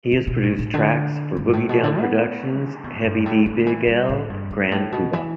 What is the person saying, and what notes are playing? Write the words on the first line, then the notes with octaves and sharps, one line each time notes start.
He has produced tracks for Boogie Down Productions, Heavy D, Big L, Grand Puba.
D3
B2
A2
A2
D3
G2
A2
B2
D3
B3
D3
B2
G2
A2
D3
E3
G3
A2
G2
G2
A2
B2
E3